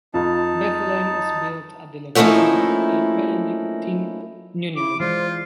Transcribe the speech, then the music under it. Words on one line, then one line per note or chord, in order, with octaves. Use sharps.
Bethlehem is built at the location of a Benedictine nunnery.
F2 F3 D#4 A5
F3 A3 A#3 C#4 D#4 E4
E4 D6
E3 G#3 F4 C5 D5